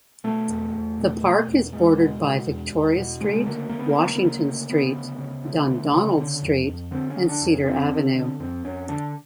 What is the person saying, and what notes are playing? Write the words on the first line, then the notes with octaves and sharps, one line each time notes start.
The park is bordered by Victoria Street, Washington Street, Dundonald Street and Cedar Avenue.
B2 A3
E2
E2
B2
B2
E2
E2 G#3
B2
B2
E2
E2
B2
C#3 G#3
D2 A#3
D2 A#3
B3
A#3
C#3 B3
A#3
B3
C#3
A#3
D2
D2 B3
C#3
C#3
D2
D2
C#3
D3
F2
F2
D3 C4
C#4
D3
D4
F2
C#4
F2 C4
D3
D3
F2 C4
F2 C#4
D3 D4